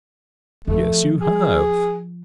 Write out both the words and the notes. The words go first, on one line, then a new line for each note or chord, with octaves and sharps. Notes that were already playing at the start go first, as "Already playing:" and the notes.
"Yes, you have."
F3 A3
G#4